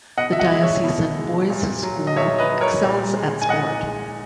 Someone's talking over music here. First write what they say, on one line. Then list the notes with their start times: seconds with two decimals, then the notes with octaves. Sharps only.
The Diocesan Boys' School excels at sport.
0.18 B2 D#5 F#5
0.32 E5
0.39 D#5 F#5
0.51 G#3
0.62 C#5 E5
0.84 B2
1.18 G#3
1.50 A#2
1.83 F#3
2.07 D#5
2.16 A#2 C#5 E5
2.39 B4 D#5
2.50 F#3
2.61 A#4 C#5
2.83 A#2
3.16 G#3
3.42 G#5
3.49 A#2 D#5 F#5
3.83 G#3